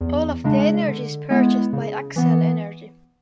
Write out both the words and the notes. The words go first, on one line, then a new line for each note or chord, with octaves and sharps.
All of the energy is purchased by Xcel Energy.
E2
C#3 G#3 D4
D3
G#3 B3 E4
C#3
E3 B3